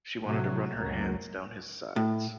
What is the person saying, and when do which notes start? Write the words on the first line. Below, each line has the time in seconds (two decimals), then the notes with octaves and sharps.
She wanted to run her hands down his sides.
0.22 A2 C3 F#3 A3
0.75 C#2 F#2 F#3 A#3
1.96 A2